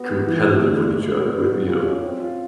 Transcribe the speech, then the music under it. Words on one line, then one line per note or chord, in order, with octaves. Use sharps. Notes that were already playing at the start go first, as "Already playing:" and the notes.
competitive with each other, with, you know,
Already playing: B3 F#4
D#3
E3
A3
D3
G2
G#3
B3
B3
F#3
F4
C#4
C4
F4